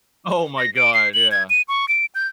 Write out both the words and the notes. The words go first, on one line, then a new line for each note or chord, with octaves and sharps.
Oh my god. Yeah.
A#6
D7
C7
F#7
G#6
D#7
C#6
D7
G6